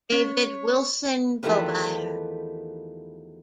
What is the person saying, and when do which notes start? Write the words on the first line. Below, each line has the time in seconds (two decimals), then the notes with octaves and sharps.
David Wilson Beaubier.
0.12 C#4 C#5
1.43 E2 D#3 F3 A3 G4 B4